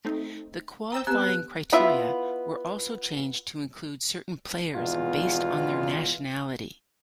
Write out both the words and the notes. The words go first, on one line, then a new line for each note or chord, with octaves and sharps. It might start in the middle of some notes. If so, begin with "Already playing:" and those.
The qualifying criteria were also changed to include certain players based on their nationality.
A3 C4 D#4
C5 G5 A#5 D#6 E6 G6
B3 C4 G4 A#5 E6 F#6
B3 E4 F4 E5
G#1 E2 B2 F4